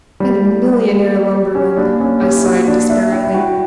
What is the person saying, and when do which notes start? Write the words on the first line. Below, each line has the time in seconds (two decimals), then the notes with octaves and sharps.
"And a millionaire lumberman!" I sighed, despairingly.
0.20 G3 A#3
0.43 E4
0.65 G4
0.88 A#3
1.10 G4
1.33 G4
1.55 C#4 G4
1.77 A#3 D4
2.00 A#3 C#4
2.22 C#4 G4
2.36 E4
2.45 A#3 F#4
2.67 A#3 D4
2.90 D4 E5
3.12 E4 G5
3.25 E4
3.34 F#4 G5